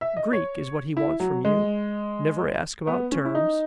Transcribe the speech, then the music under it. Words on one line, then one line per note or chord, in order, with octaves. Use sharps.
Greek is what he wants from you;--never ask about terms.
E5
D#5
C#5
E4
F#3
G#3
B3
C#4
E4
D#4